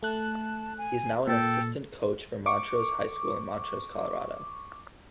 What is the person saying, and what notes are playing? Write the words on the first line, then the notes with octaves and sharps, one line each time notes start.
He now is an assistant coach for Montrose High School in Montrose, Colorado.
A3 A5 F#6
G#5
A#2 A4 G5
C#6 D6